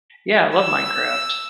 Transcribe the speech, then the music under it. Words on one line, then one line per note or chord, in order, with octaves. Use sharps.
Yeah, I love Minecraft.
E6